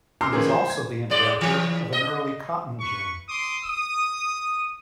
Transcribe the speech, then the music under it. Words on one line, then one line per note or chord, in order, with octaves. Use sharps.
He was also the inventor of an early cotton gin.
A#5 C6 D6 E6 F6 C7
D#3 F3 A#3 B3 C#4 G#4
F3 C5
G#6
G#2 G#3 D5
E3
D#5
B4 C#6
C6 D6 D#6
D#6